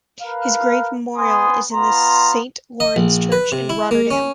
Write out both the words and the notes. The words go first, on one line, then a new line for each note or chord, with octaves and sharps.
His grave memorial is in the Saint Laurens Church in Rotterdam.
A#4 B4 F5
B3 G#5 C6 D#6
B3 F4 A#5 C6
D#5
A#1
B4
C3
E4
A#3
C#4